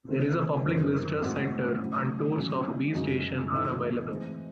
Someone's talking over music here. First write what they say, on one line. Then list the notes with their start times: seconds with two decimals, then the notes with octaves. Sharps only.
There is a public visitors centre and tours of 'B' station are available.
0.08 C3 D#3 A3 C4
0.65 F#2 D#3 F#3 C4
1.23 A2 G#3 C4 F#4
1.79 A2 F#3 C#4 F#4
2.37 A2 F#3 C#4
2.95 F#2 C#3 G#3 D#4
3.52 A2 E3 A3 D#4
4.09 E3 G#3 C4